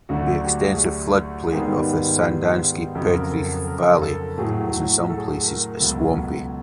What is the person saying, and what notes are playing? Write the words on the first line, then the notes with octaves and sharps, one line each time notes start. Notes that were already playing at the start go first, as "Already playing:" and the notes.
The extensive floodplain of the Sandanski–Petrich Valley is in some places swampy.
D2 D3 F#3 A3 F#4
F#4
G4
G#4
G#2 D#3 G3 B3 G#4
F2 C#3 F#3 A4
A#4
A4
A#4
A4
A2 F#3 A3 G#4
A4
G#4
A4
A#4
C#2 B2 F#3 A4